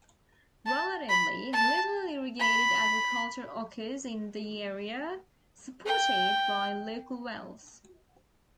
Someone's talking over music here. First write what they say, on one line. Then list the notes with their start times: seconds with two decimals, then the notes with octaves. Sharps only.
Relatively little irrigated agriculture occurs in the area, supported by local wells.
0.66 A5
1.09 B5
1.53 A5
2.40 B5
5.86 G5